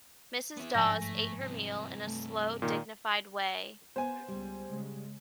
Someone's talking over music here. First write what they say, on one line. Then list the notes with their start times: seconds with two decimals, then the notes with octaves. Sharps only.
Mrs. Dawes ate her meal in a slow, dignified way.
0.57 B3 E4
0.75 G1 G#2 F3 D4 G#5 A#6
1.01 A3
1.40 G2 C3
2.07 A3
2.62 A#2 D#3
3.96 B3 C5 G#5
4.28 C#2 G3
4.69 C#3 G#3